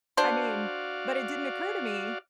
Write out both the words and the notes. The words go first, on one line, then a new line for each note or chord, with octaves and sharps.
I mean, but, it didn't occur to me,
D4 F#4 C5 D5 F5